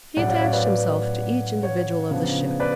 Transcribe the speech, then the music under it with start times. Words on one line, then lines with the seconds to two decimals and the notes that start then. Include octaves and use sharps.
He attached himself to each individual of the ship.
0.17 A2 F#3 C#4 D5 F#5
0.28 C#5 F5
0.35 D5
0.41 C#5 F5
0.53 B4 D5
0.66 B4 D5
1.63 C#5
2.11 C#3 F3 B3 D4
2.60 B4 D5